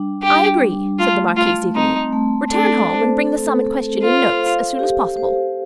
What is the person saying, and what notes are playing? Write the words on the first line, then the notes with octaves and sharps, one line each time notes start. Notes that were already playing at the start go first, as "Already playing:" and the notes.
"I agree," said the marquise, eagerly; "return home and bring the sum in question in notes, as soon as possible."
Already playing: G3 D4
D4 G4
G3
A3 F4
A3 F4
C4 D#4
A3
D4 A4
C5
A4
A4
F4 C5
F5
G4
C5